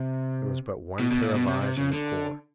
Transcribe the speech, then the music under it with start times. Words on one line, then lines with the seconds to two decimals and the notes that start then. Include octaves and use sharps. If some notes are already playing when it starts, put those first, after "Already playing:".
There was but one pair of eyes in the corps.
Already playing: C3
0.99 B2
1.11 B2
1.23 A#2
1.35 B2
1.47 C3
1.62 C3
1.78 C#3
1.93 D3